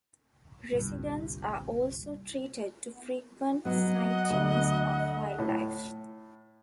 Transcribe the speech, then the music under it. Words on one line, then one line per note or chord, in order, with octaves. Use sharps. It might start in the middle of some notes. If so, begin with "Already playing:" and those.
Residents are also treated to frequent sightings of wildlife.
G1 C2 G2 A#2
F#3 B3 D#5 F#5
D2 E5
A2